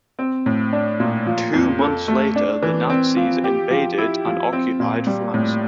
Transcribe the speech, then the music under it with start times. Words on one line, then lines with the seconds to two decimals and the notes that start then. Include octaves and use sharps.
Two months later the Nazis invaded and occupied France.
0.19 C4
0.46 A2
0.73 D4
1.00 A#2
1.27 F3
1.54 F2
1.81 A4
2.08 A3
2.36 D4
2.63 E3
2.90 C4
3.17 F3
3.44 G4
3.71 F3
3.98 E4
4.26 F3
4.53 C4
4.80 A#2
5.07 G3
5.34 A2